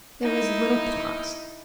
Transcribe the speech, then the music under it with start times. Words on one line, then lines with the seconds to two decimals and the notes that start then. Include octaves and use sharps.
There was a little pause.
0.23 D#4 E4